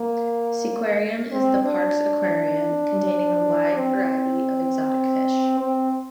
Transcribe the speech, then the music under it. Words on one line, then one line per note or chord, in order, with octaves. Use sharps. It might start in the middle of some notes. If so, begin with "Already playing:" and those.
SeaQuarium is the park's aquarium, containing a wide variety of exotic fish.
Already playing: A#3
C4
D4
C4
C4